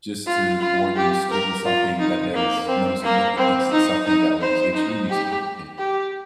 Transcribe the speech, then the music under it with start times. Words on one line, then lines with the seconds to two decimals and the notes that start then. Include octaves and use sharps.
just to boredly scribble something that has no significance to something that was extremely significant,
0.27 F4
0.61 F4
0.96 G4
1.31 A#4
1.65 F4
1.99 D#4
2.34 A#3
2.68 C4
3.03 A#3
3.37 C4
3.72 D#4
4.06 D#4
4.41 C5
4.75 D#4
5.10 G4
5.78 G4